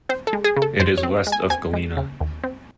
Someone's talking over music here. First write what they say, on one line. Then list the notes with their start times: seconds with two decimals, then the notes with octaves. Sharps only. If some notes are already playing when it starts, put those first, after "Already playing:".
It is west of Galena.
0.09 C4 C5
0.27 A4
0.33 G#3
0.44 G#4
0.56 C#3
0.62 A4
0.80 F#2 C5
0.97 C#5
1.03 C4
1.27 G#3
1.32 G#5
1.50 C4 G#5
1.73 G#3
1.97 C#3
2.21 D#2
2.44 C4